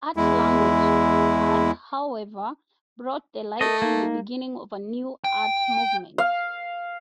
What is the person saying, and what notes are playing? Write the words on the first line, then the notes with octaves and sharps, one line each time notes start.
"Art-Language" had, however, brought to light the beginning of a new art movement.
E2 G#3 E4
A3 A#4 D#5
A#3 D#4
G5
F5